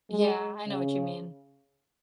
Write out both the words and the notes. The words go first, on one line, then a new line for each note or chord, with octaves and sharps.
Yeah, I know what you mean,
G#3
C#3